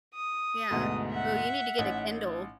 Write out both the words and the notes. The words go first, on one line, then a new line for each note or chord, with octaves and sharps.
Yeah, ooh, you need to get a Kindle.
D#6
D2 G#2 B2
E5 F#5
A1 D#4